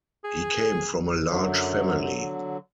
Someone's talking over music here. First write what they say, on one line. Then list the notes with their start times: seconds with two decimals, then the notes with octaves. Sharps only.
He came from a large family.
0.24 G#4
1.28 F#2 D3 F#3